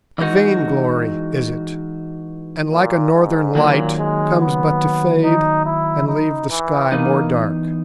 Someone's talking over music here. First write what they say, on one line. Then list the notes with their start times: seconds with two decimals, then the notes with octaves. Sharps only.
A vainglory is it, and like a northern light, comes but to fade and leave the sky more dark.
0.18 E3 G#3 D#4 F#4
2.71 A#2
3.14 G#2
3.55 A#2 D#3 F#3 A#3
3.98 G#3
4.40 B3
5.24 D#4
5.65 E4
6.07 D#4
6.50 E3
6.92 E3 A#3 B3 D#4